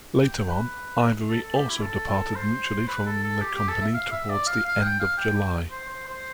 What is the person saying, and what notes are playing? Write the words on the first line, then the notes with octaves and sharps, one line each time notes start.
Later on, Ivory also departed mutually from the company towards the end of July.
G5
B4
A4
A4
G4
E4
A4
A4
C5
B4
A4
A4
G4
G4
A4
E5
F5
E5
D5
F5
F5
G5
F5
G5
G5
C5
C5
C5